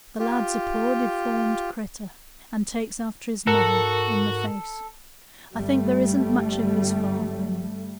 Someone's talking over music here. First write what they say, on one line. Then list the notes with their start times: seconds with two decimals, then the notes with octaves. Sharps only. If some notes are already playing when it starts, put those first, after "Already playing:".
The lad's a poor deformed creatur, and takes after his mother in the face; I think there isn't much of his father in him.
0.19 F4 G4
3.47 G#2 F#4 A4 A#4
5.54 G1 G3 A3